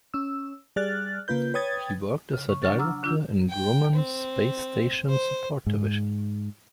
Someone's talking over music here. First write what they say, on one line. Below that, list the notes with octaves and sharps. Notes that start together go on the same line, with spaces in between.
He worked as a Director in Grumman's Space Station Support Division.
C#4 E6
G3 G#4 D5 F6 F#6 A6
C#3 A#3 F4 B4 G6
B4 C#5 G5 D#6 G#6 A6
C#3
C#6
F#3 D4 F#5 C#6 F6 A6
A#5 D6 E6 F6
D3 D4 F4 E6 G6
G5
C4
C5
G#2